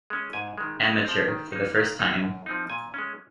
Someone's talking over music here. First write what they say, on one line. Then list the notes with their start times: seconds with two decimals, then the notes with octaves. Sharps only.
Amateur for the first time.
0.10 G#3 C#4
0.33 G#2 G#5
0.58 D#3 G#3
0.81 C#3 F#5
1.05 F3 C4
1.28 D#3
1.52 A#3 D#4
1.75 D#3 F5
1.99 F#3 A#3 D#4
2.23 F#2
2.46 F3 C4 D#4
2.70 A#2 G#5
2.94 G#3 C#4